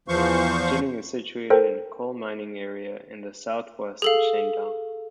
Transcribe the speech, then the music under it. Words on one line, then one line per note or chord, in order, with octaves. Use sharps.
Jining is situated in a coal mining area in the southwest of Shandong.
E2 E3 F3 C5 F5 C#6
A4 A#4 C5 G5
G#4 A4 F5